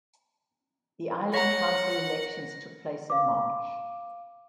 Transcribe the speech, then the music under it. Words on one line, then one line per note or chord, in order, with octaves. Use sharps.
The island council elections took place in March.
C#5 E5 F#5 A#5 A#6
F5 D6